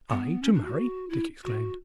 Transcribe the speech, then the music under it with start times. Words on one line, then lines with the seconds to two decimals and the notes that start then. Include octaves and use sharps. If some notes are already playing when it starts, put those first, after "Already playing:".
"I to marry!" Dick exclaimed.
0.10 B3
0.42 C#4
0.54 D4
0.65 F#4
1.10 E4
1.44 F#4